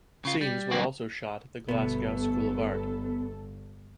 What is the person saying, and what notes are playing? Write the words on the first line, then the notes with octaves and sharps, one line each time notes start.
Scenes were also shot at the Glasgow School of Art.
C#3 F4
G3
D3 F#3 G3 A#3 C4 F#4
G1 D2 B2 B3 A4